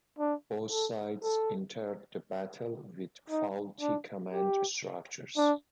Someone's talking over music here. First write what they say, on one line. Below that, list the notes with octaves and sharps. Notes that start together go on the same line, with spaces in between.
Both sides entered the battle with faulty command structures.
D4
A4
A4
D#4
D4
G4
D4